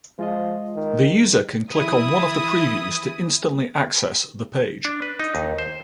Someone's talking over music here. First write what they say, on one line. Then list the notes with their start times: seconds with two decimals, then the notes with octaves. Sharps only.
The user can click on one of the previews to instantly access the page.
0.19 F3 G#3 F4 D#5
0.76 D#3
1.72 E3 E4 D#6
4.85 D4
5.02 B4
5.19 D#4
5.35 D#2
5.58 C5